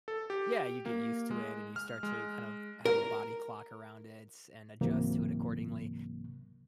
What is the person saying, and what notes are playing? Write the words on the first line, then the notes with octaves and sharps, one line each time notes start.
Yeah, you get used to it, and you start to, kind of, have a body clock around it and adjust to it, accordingly.
A4
G4
A#3
G#3
F6
G#3
A#4
C2 G#2 C3 E3 F#3 A#3